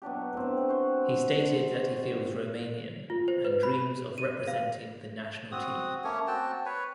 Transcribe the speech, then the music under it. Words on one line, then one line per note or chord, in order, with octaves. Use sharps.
He stated that he feels Romanian and dreams of representing the national team.
B2 F#3 D4 G4
A2 C4
F#4 C5
F4
C5
B4
B5
D#7
F5
C4 F#4 D#6
A3 A#3 C#4 C#5
C4 F#4 G5 A5
B4 C#5